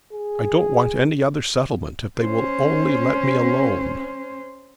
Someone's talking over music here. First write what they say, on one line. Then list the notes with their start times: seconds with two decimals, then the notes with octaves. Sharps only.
I don't want any other settlement,--if they will only let me alone.'
0.13 G#4
2.20 C#4 C5